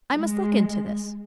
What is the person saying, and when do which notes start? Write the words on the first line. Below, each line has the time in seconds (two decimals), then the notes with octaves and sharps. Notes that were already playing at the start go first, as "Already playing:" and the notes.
I must look into this.
0.13 G#3